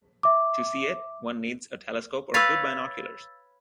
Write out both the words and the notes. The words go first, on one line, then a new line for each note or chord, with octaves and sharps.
To see it, one needs a telescope or good binoculars.
E5 D6
B4 C#5 F5 E6 A6